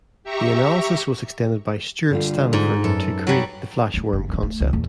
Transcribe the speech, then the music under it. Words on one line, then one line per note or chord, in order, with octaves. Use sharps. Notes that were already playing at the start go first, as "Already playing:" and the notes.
The analysis was extended by Stuart Staniford to create the flash worm concept.
G4 E5 A#5 C#6
D3 G3 F4
G#2
F#2 A4 B4
F#3 G3
F#3 E4
F#1
A#3 C4
A3
C#2
E2 A#2